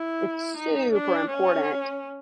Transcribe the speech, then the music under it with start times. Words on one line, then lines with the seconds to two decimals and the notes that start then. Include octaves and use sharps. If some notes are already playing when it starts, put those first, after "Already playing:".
it's super important
Already playing: E4
0.57 D#4
0.93 D4
1.30 C#4